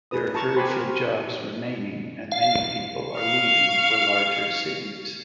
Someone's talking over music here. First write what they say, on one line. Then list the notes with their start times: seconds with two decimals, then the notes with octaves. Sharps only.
There are very few jobs remaining, and many people are leaving for larger cities.
0.11 G#4 B4 D#6
0.35 A5 A#5 C#6
0.57 F#4 G4 C5 G#5 B5 C6
0.70 A#4
2.32 F5
3.14 F5 C#6